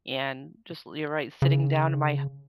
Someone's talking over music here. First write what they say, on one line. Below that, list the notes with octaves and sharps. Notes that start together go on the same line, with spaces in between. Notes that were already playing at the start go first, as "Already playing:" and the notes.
And just you're right sitting down my
C#3